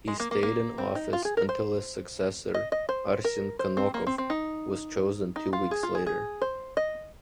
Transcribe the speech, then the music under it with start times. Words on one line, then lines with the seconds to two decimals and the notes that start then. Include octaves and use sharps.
He stayed in office until his successor, Arsen Kanokov was chosen two weeks later.
0.08 G#3
0.20 A#3
0.31 A#3
0.43 A#3
0.78 C4
0.95 D#4
1.13 F4
1.25 G#4
1.37 A#4
1.49 C5
2.54 D#5
2.72 D#5
2.89 C5
3.25 A#4
3.59 C5
3.77 C4
3.94 A#3
4.07 C4
4.18 C4
4.30 D#4
5.36 D#4
5.53 F4
5.71 G#4
5.83 F4
5.95 G#4
6.06 G#4
6.42 C5
6.77 D#5